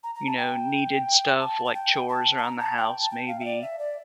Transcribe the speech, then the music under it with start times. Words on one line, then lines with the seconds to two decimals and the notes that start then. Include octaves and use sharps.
you know, needed stuff, like chores around the house maybe,
0.03 A#5
0.15 A#5
0.26 A5
0.37 G5
1.39 A5
1.65 A5
1.74 G5
2.08 A5
2.37 A5
2.43 A#5
2.59 A5
2.77 G5
3.00 A5
3.11 G5
3.28 F5
3.40 E5
3.45 D5
3.62 E5
3.79 D5